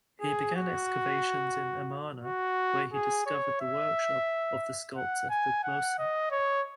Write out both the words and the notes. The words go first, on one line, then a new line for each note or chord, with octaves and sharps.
He began excavations in Amarna, where he discovered the workshop of the sculptor Thutmose.
G#4
F#4
F#4
G#4
C#5
E5
F#5
G#5
F#5
D#5
C#5